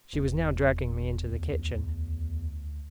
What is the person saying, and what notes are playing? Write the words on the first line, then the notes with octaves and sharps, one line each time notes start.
She was now dragging me into the kitchen.
F1 E2
D2